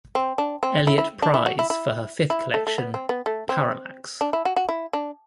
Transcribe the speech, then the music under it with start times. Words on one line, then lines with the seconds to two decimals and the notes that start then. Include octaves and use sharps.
Eliot Prize for her fifth collection "Parallax".
0.15 C4
0.38 D4
0.63 C4
0.87 E4
0.98 E4
1.22 D4
1.34 E4
1.46 F#4
1.59 E4
1.70 E4
2.30 E4
2.54 A3
2.67 A3
2.78 B3
2.94 C4
3.09 B3
3.26 A3
3.49 C4
4.21 D4
4.33 E4
4.45 F#4
4.56 F#4
4.69 E4
4.93 D4